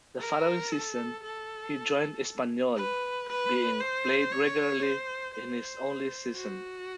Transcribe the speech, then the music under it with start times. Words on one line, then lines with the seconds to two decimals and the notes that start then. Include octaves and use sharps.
The following season, he joined Espanyol, being played regularly in his only season.
0.20 A#4
0.72 A4
1.23 A4
2.77 B4
3.29 B4
3.80 C5
4.32 C#5
4.82 C5
5.35 C5
6.36 F#4